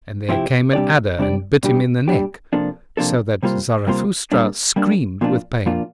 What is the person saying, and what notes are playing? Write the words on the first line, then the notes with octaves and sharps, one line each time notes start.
And there came an adder and bit him in the neck, so that Zarathustra screamed with pain.
C3 F3 C4 E4 G4
C3 G3 D4 G4 D5
C3 G3 D4 G4 D5
A#2 G3 D4 G4
A#2 G3 D4 G4
C3 F3 A#3 D4 A4
C3 F3 A#3 D4 A4
C3 G3 A#3 F4 C5
C3 G3 A#3 F4 C5
G3 A#3 D4
G3 A#3 D4
A#2 F3 A#3 D4 F4
A#2 F3 A#3 D4 F4